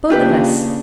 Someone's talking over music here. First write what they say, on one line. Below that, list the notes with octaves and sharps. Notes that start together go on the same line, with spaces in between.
'Both of us.
C#3 A#3 D4 F4 G4 B4